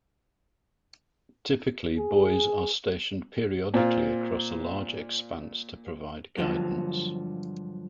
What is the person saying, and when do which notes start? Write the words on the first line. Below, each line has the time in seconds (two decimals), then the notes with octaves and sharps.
Typically, buoys are stationed periodically across a large expanse to provide guidance.
1.98 G#4
3.74 A#2 C4 F4
6.37 G2 D3 F3 F#3 A#3